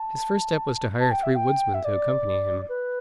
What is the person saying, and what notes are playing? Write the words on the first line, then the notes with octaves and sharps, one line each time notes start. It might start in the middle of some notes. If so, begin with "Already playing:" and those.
His first step was to hire three woodsmen to accompany him.
Already playing: A5
A5
G5
E5
G5
E5
D5
B4